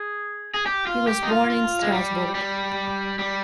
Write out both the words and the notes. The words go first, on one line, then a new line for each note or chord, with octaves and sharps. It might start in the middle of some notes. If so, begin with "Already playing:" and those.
He was born in Strasbourg.
Already playing: G#4
G#4
G4
F4
G4
D#4
F4
F4
G#3
G3
G3
G3